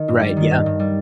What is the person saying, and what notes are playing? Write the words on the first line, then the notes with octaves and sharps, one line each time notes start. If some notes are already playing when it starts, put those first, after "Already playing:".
Right, yeah.
Already playing: D#3
G2
G3
D#3
G2
G2
G3